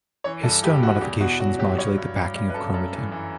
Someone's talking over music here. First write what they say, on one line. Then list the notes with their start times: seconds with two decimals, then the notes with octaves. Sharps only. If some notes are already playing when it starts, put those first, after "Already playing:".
Histone modifications modulate the packing of chromatin.
0.24 E3 C#5
0.43 G2 A4
0.63 G2 G4
0.83 E3 F#4
1.01 E2 G4
1.21 B2 F#4
1.40 F#3 F#4
1.59 F#3 G4
1.78 G2 C#5
1.98 G2
2.16 G2
2.35 G2
2.50 B4
2.54 F#2 A4
2.74 F#2
2.93 E3
3.12 E3